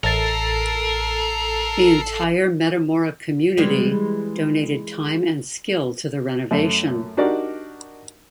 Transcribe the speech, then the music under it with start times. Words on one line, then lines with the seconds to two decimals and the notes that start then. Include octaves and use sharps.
The entire Metamora community donated time and skill to the renovation.
0.04 A1 A4 A#4 A6 C7
3.57 E3 G3 G#3
6.51 F#2 A3
7.17 D4 D#4 F#4 G4 A#4 D5